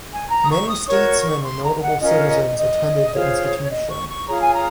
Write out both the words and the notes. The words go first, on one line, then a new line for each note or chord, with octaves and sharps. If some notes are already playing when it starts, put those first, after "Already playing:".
Many statesmen and notable citizens attended the institution.
G#5
A#5
D#6
C#6
D#6
F#4 A#4 C#5 C#6
C6
A#5
F#5
C#4 F4 A#4 D#5
D#5
D#5
F4 G#4 C5 C#5
D#5
C#6
C#6
F4 G#4 C#5 A#5
G#5
A#5